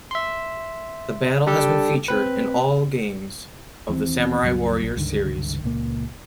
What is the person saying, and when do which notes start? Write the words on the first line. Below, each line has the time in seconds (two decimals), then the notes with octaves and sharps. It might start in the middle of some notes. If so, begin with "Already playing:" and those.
The battle has been featured in all games of the "Samurai Warriors" series.
0.11 E5 C6
1.46 G3 D4 G4 A4
2.08 C4 B4
3.89 D#2 E3 A#3 C4
4.42 C#2 G2 F3 F#3
4.84 A#1
4.96 C#2 G2 D3 D#3
5.64 C#2 A#2 A#3